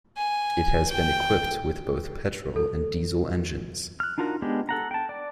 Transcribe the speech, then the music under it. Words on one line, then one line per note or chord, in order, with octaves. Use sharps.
It has been equipped with both petrol and diesel engines.
G#5
G5
A4
F6 F#6
D4 D#4 F4 F#4 A#4
G#3 B3 D4 G4
A4 F#5 A#5
G5 A5
D5